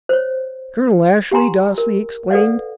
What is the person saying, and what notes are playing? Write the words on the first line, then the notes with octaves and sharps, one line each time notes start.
"Colonel Ashley!" Darcy exclaimed.
C5 C#5
G4 F#5 G#5 A#5 C6
A#4
A4 B4 D5 F5 F#5